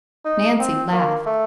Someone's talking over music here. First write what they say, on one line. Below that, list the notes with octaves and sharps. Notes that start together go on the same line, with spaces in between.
Nancy laughed.
D#4
C4
A#3
A3